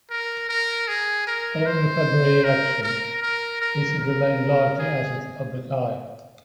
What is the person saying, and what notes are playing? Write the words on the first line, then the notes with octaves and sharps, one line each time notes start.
Following the February election Heath had remained largely out of the public eye.
A#4
A#4
G#4
A#4
C5
A#4
A#4
A#4
A#4
A#4
G#4